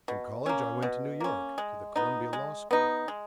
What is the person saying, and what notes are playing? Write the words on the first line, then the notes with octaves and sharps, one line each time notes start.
From college I went to New York, to the Columbia Law School.
B2
A#3 C#4
B2
A#3 C#4
G#3
B3 D#4
G#3
B3 D#4
G#3